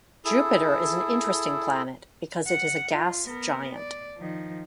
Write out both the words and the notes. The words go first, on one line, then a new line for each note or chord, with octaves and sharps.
Jupiter is an interesting planet because it is a gas giant.
E4 G#4 A4
F#5
F4
B3 A#4
D5
D#3 F3